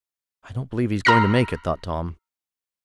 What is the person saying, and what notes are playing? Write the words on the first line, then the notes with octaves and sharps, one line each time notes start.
"I don't believe he's going to make it," thought Tom.
A#5 E6 F6 A#6 C7